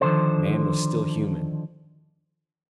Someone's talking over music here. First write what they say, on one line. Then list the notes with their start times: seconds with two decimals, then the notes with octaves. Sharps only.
Man was still human.
0.01 D3 D#3 F3 D4 A4 C5